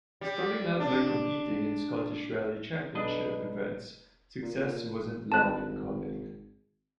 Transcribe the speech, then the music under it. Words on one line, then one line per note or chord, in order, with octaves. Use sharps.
Starting out by competing in Scottish Rally Championship events, success wasn't long in coming.
G3
D4
B1 D4 B4 D#5
A#2
G#1 A5 F#6